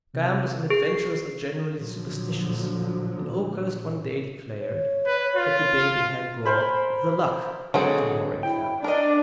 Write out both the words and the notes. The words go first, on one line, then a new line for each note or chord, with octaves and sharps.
Gamblers and adventurers are generally superstitious, and Oakhurst one day declared that the baby had brought "the luck" to Roaring Camp.
C3
G#4 C7
A#2 D3 F3 F#3
C#5
B4
F4
A#4 C5 G#5 B5
D3 F#3 G#3 C4 G#4 A4
E4 G5
D4 A#4 D5 D#5